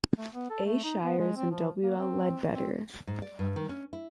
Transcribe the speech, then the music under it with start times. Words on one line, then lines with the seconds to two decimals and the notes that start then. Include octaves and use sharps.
A. Shires, and W. L. Ledbetter.
0.18 A3
0.33 B3
0.50 A4
0.65 A3
0.84 D#4
1.03 B3
1.19 G#3
1.36 C4
1.51 F3
1.83 A#3
1.98 C4
2.54 C4
3.07 G#2
3.22 D5
3.39 G2
3.56 D#3
3.69 C#4
3.93 E4